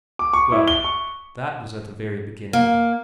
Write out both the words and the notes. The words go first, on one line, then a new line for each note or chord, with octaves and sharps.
Well, that was at the very beginning.
D6
C#6
E4
G7
C#6
A#3